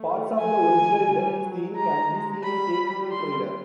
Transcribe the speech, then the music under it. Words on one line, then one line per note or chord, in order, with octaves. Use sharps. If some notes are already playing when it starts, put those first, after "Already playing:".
Parts of the original death scene can be seen in theatrical trailer.
Already playing: A3
G#5
G3
F#3
G#3 A#5
G#3
G3 B5
C6